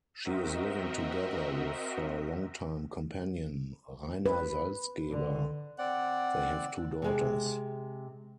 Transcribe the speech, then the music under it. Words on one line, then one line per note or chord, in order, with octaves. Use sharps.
She is living together with her longtime companion Rainer Salzgeber; they have two daughters.
C4 F#4 A#4 D#5 E5
B4
D3
C4 D5 F#5
C3 G#3 C4